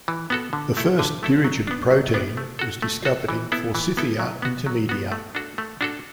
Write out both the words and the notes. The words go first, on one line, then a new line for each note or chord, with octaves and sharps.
The first dirigent protein was discovered in "Forsythia intermedia".
E3
B3 F#4 A4
D3
A3 E4 A4
D3
A3 E4 A4
F#3
B3 D4
F#3
B3 D4
A3
F#4 A4
A3
F#4 A4
E3
B3 E4 A4
E3
B3 E4 A4
F#3
B3 F#4
F#3
B3 F#4
A3
D4 F#4 A4
A3
D4 F#4 A4